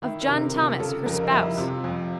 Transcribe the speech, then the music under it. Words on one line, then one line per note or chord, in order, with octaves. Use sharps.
Of John Thomas, her spouse.
D#3 E4
A#4
C3
A#4
C3
F4
C#3 A4
F2 A#4
D#4
F2 E4
C3 F4
F2